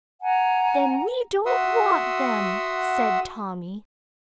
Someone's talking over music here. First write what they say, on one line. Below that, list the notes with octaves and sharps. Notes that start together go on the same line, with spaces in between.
"Then we don't want them," said Tommy.
F#5 G#5 A#5
F#4 E5 F#5 C6 D#6 E6